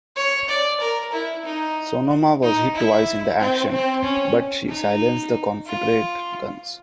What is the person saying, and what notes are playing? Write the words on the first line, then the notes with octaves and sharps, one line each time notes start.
"Sonoma" was hit twice in the action, but she silenced the Confederate guns.
C#5
D5
A#4
E4
D#4
D#4
E4
C4
C4
C#4
D#4
F4